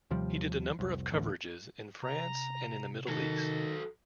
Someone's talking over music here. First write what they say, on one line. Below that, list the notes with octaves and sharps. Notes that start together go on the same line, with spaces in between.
He did a number of coverages in France and in the Middle East.
D#2 C3 F3 G3
F1 C2
A1 D2
C3 A#5
D#3 F#3 A4 A#6